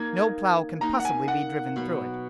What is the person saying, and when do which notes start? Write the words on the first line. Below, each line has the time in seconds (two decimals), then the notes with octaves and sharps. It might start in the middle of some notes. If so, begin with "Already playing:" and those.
No plough can possibly be driven through it.
Already playing: A#3 D#4 A#4 G#6
0.81 A#3 D#4 A#4 A#5
1.00 F#5
1.05 G#5
1.28 F#5
1.76 B2 F#3 B3